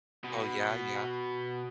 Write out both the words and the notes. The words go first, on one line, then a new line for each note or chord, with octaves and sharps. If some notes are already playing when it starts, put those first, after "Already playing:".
Oh, yeah, yeah.
B2 B3